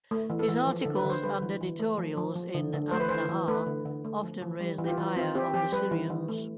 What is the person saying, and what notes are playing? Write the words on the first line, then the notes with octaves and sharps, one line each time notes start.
His articles and editorials in "An Nahar" often raised the ire of the Syrians.
A3
E3
A4
E3
F3
D3 A4
B4
D3 C5
G3 B4
E3
E3
A3
F3
F3
F3
D3
D3
A3 C5
B4
E3 C5
E3
A3 B4
D3
D3
A3
F3
F3
G3
E3
G4
F4
E3
C4 F4
C4 G4
F3 G4
G3 B4
E3
E3
A3